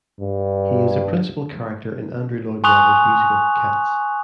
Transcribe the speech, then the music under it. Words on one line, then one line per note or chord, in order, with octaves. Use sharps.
He is a principal character in Andrew Lloyd Webber's musical "Cats".
G2
G#5 C6 C#6 D#6 F#6 F7